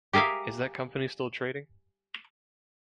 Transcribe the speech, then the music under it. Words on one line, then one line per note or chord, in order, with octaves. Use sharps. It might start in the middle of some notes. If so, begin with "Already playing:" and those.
Is that company still trading?
G4 G#4 A#4 E5 F5